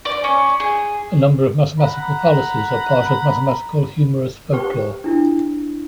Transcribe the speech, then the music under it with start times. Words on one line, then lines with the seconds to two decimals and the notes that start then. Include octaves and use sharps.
A number of mathematical fallacies are part of mathematical humorous folklore.
0.05 D5
0.24 C#4
0.60 G#4
1.79 F#5 A#5 B5
4.52 G4 B4 C5 G5 C#6
5.04 D4 E4